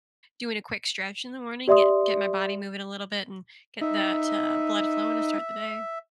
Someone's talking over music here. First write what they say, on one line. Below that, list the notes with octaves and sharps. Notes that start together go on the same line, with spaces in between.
doing a quick stretch in the morning, get get my body moving a little bit and get that, uh, blood flowing to start the day.
G4 D5 E5 C6 D#6
D#4 E5